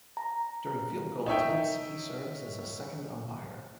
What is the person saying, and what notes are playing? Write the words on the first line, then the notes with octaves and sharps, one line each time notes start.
During field goal attempts he serves as a second umpire.
A#5
D#4 C#5 E5 G5